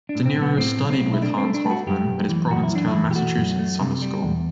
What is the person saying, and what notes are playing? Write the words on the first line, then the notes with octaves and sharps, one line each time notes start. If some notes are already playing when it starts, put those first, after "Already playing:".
De Niro studied with Hans Hofmann at his Provincetown, Massachusetts summer school.
D4
A2
C4
B1
B3
A2 C4
B1
C4
B1
E4
A3 D4
C4
A3
D4
A3
F#4
F#2 G4
F#2
E3
F#2 F#4
E4
E3 D4
E4
E3
G4
A3 F#4
F#2
A3
C3
G3
E2